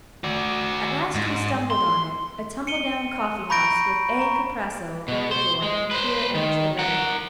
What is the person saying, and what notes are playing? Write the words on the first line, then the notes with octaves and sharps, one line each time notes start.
At last we stumbled on it--a tumble-down coffee house, with A. Kuprasso above the door in queer amateur lettering.
F#4 D5
G#2
C6
C#7 D#7 G7
A#5 B5 C#6 G6 A#6 D7
A#5 C#6
B2
C5
G#3
B4 C5
D#3
A#4 F#5